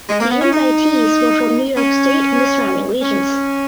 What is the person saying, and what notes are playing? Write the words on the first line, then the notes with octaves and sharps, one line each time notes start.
The invitees were from New York state and the surrounding regions.
G#3
A#3
B3
C#4
D#4
C#4
C#4